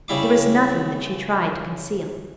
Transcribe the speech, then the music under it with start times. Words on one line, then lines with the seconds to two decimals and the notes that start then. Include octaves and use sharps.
There was nothing that she tried to conceal.
0.08 C#3 G3 E4 D6